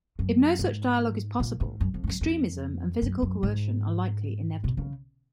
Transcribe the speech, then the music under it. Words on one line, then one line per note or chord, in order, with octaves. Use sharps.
If no such dialogue is possible, extremism and physical coercion are likely inevitable.
F#2
G#2
A#2
G#2
F#2
F2
G#2
F#2
F2
F#2
F#2
G#2
B2
C#3